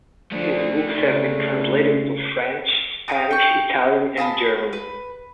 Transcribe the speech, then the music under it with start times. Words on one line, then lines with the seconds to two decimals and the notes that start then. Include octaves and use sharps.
His books have been translated into French, Spanish, Italian, and German.
0.32 D3 F3 A3 D4
1.01 C#3
3.08 F5 G5 A#5 D#6
3.31 G5 C#6
4.17 F4 G#4 A5 B5
4.73 B4